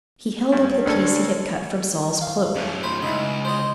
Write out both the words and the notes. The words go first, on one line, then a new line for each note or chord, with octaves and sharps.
He held up the piece he had cut from Saul's cloak.
G2
D2 C#4 D4 A4
F5
F#2 A3
C5 B5
C#2 D#4 E4
C5 D#5